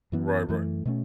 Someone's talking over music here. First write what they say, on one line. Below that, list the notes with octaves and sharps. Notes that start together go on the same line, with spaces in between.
Right, right.
F#2 E3 B3
F#2 E3 A3
B2 A3 C#4